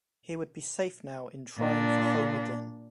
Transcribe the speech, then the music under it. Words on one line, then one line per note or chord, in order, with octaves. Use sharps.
He would be safe now in trying for home again.
A#2 D4